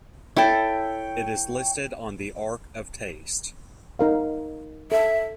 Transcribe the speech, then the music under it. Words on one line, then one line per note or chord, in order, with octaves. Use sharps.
It is listed on the Ark of Taste.
E4 A4 C#5 G5
D#4 A#4 F5
A4 E5